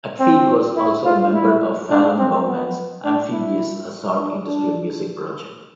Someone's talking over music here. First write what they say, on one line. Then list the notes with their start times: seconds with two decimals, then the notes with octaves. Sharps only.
Atfield was also a member of Fallon Bowman's Amphibious Assault industrial music project.
0.19 C4
0.76 E4
1.05 F4
1.33 E4
1.90 D4
2.18 C4
2.47 B3
3.05 D4
3.33 E4
4.18 D4
4.46 D4